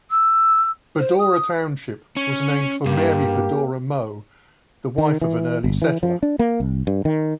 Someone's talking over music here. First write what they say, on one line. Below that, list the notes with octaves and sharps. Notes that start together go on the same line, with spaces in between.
Badoura Township was named for Mary Badoura Mow, the wife of an early settler.
E6
C5
D#6
C#4
G2 A#3 G4
D#3
E3
G1
E3
F3
D4
A#3
C2
G2
D#3